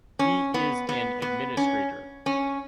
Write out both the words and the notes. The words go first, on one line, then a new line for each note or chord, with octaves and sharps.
He is an administrator.
C#4
B3
B3
B3
C#4
C#4